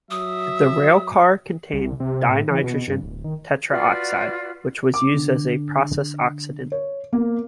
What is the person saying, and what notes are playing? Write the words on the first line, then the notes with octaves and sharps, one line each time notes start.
The railcar contained dinitrogen tetroxide which was used as a process oxidant.
F#3 E5 D#6
C2
C3
A2
E3
B2
G2
D1
D#3
F4 F#4 B4 D5
D6
D3
C#5
A#3